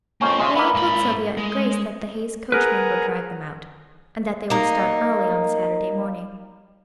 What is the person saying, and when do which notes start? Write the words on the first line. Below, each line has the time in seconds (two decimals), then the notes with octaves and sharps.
Flora told Sylvia and Grace that the Hayes coachman would drive them out, and that they would start early on Saturday morning.
0.21 F2 A#3 C#4 C5 G5
0.40 G#3 F4 C5 E5
0.55 A#3 E4 B4 F#5
0.74 G#2 B5
1.37 G#3
2.52 G#4 A#4 B4 F#5 G#5 A#5
4.50 A#3 D#4